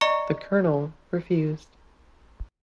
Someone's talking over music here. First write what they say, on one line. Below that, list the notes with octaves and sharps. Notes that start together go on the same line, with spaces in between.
The colonel refused.
D5 D#5 A#5 C#6 C#7